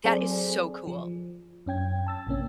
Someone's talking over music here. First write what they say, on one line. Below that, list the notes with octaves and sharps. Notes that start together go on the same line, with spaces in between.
That is so cool.
F#3 C4 G#4 A4 C5 D5
F3
F#2 C#4 G5 G#6
A5 E6 A6
A1 C3 A#3 C#4